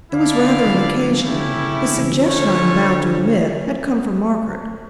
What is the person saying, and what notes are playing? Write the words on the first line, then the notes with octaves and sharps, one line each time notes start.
It was rather an occasion. The suggestion, I am bound to admit, had come from Margaret.
D3 E4 A4 D5 F5
D3 F3
A3 C#4 E4 G4
D3
C#3
C#3
C#3
D3
C#3 E3
D3 F3
A3 C#4 F4 C#5